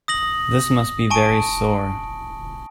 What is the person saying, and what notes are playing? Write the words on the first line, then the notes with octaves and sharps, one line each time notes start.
This must be very sore.
D#6 A#6 F#7
G#5 A5 C#6 D7